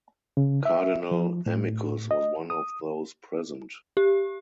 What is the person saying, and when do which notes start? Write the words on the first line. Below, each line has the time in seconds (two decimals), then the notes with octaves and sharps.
Cardinal Amicus was one of those present.
0.37 C#3
0.65 E5
1.11 F3
1.46 A2
2.11 D#5
2.50 D#6
3.97 G4